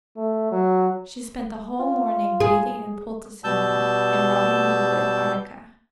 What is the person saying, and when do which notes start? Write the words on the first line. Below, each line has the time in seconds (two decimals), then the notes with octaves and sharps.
She spent the whole morning bathing and poulticing me, and rubbing me with arnica.
0.17 A3
0.52 F#3
1.80 F4
2.40 G#4
3.44 B2 G3 A5 E6 G6